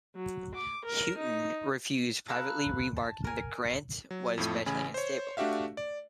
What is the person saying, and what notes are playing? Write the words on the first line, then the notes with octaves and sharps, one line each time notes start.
Houghton refused, privately remarking that Grant was mentally unstable.
F#3
D6
A#4
D#4
A4 B4 F5 A#5
A5
A#4 G#5
F#3
F2 A2 F3 A3
A1 C#3 G#5 B5
C5 C#5
A3 D4 F#4 G4 E5 F5
D5